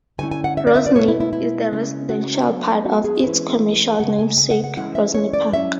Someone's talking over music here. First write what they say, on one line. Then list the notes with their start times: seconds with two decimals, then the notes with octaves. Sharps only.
Rosny is the residential part of its commercial namesake Rosny Park.
0.18 D3 A3 C#4 E4 G#5
0.31 G#5
0.44 F#5
0.57 E5
0.67 D5
0.76 E5
0.86 D5
0.95 B2 G#3 B3 E4 C#5
1.08 E4
1.20 E4
1.33 E4
1.72 C#3 G#3 C#4 E4
2.09 F#4
2.48 F#3 B3 D4
2.85 F#4
3.04 G#4
3.20 C#5
3.23 E3 G#3 C#4 E4 B4
4.00 C#3 E3 G#3 F#5
4.19 G#5
4.38 G#5
4.51 F#5
4.64 F#5
4.77 E3 G#3 C#4 E4 F#5
4.95 E5
5.14 C#5
5.33 D5
5.52 F#3 C#4 E4 E5